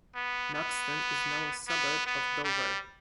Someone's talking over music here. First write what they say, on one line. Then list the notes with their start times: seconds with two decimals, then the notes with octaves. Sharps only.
Maxton is now a suburb of Dover.
0.15 B3
0.54 B3
1.69 B3
2.06 B3
2.44 G3